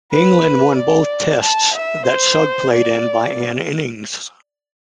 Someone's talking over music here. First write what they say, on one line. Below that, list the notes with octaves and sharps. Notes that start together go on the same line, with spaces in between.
England won both Tests that Sugg played in by an innings.
B4
D5
A5
E5
C5
D5